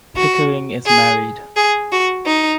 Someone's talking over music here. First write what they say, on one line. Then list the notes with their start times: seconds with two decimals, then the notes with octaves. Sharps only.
Pickering is married.
0.17 F#4
0.86 G#4
1.56 G#4
1.92 F#4
2.26 D#4